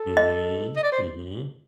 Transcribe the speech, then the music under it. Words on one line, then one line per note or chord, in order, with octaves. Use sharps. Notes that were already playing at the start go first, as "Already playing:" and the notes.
Mhm, mhm.
Already playing: A4
D#5
D#5
D5
C5